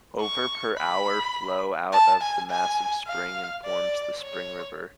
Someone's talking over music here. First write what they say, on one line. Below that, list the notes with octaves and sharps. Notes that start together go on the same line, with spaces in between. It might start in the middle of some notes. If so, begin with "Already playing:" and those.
Over per hour flow out of the massive spring and forms the Spring River.
C#6
B5
A5
G#5
G#5
F5
D5
C#5